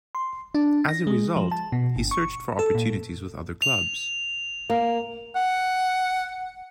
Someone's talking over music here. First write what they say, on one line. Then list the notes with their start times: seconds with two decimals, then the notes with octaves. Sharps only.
As a result, he searched for opportunities with other clubs.
0.15 C6
0.55 D4
0.88 A#6
1.07 G#3
1.36 F3
1.51 A5
1.72 B2
1.96 G1
2.11 C#6
2.59 A4
2.75 A#2
3.62 F7
4.70 A#3
5.36 F#5